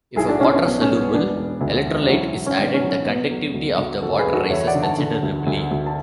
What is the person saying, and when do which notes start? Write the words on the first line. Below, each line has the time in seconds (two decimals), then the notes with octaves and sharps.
If a water-soluble electrolyte is added, the conductivity of the water rises considerably.
0.16 B1 E4 G#4
0.29 D4 F#4
0.41 B2 C#4 E4
0.53 C#4
0.65 B1 B3
0.81 C#4
0.90 B1
0.96 B3
1.13 E1 B3 D4
1.37 E1
1.61 D2
1.86 E1
2.03 D4
2.09 F#3 C#4 E4
2.34 F#3
2.46 C#4
2.57 G#1 B3 D4
2.74 C#4
2.81 F#3
2.90 C#4
3.06 F#3 B3
3.31 F#3
3.54 D2
3.78 D2
4.02 F#1 F#4 A4
4.18 G#4 B4
4.26 E2
4.34 F#4 A4
4.50 E2 C#5 E5
4.67 D5 F#5
4.75 D3
4.82 F#5 A5
4.98 D3
5.23 D2
5.47 D2
5.71 D2
5.86 A5